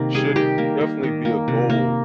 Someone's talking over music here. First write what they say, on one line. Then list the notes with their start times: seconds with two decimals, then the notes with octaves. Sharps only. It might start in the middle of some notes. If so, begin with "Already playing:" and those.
should definitely be a goal
Already playing: C3 D#3 A#3
0.14 G3 G#4
0.36 D#3 G4
0.58 A#3
0.81 A#3
1.03 D#3
1.25 A#3
1.48 C3
1.70 A#3